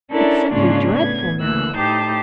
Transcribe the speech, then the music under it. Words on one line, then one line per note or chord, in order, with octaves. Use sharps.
It's simply dreadful now.
C#4 D4 E4 A4 A#4
G#2 C#3 A#3 C#4 D4 F4
A2 B3 G#6
D2 E3 A#3 E6 F#6
A2 D#4 G4 C5 A5 G6